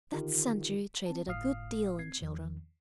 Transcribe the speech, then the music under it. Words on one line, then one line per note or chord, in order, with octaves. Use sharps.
That century traded a good deal in children.
D3 D#3 D#4 F4 G4 A#4
C4 A5
G1 A2 F5 D#6 F6 C7
C4 G#6 C7
E2 D#3 F3